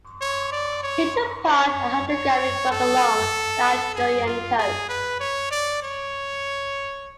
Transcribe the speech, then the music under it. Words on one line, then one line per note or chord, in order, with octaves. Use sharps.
He took part in hydrographic work along the Algerian Coast.
C#5
D5
C#5
C#5
C#5
A4
G#4
F4
G#4
B4
C#5
D5
C#5